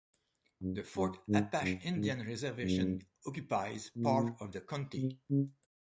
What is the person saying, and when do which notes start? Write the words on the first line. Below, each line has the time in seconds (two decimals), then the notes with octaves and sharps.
The Fort Apache Indian Reservation occupies part of the county.
0.62 F#2
0.96 F#2
1.29 G#2
1.62 F#2
1.96 G#2
2.63 F#2
3.96 A#2
4.97 C3
5.31 C#3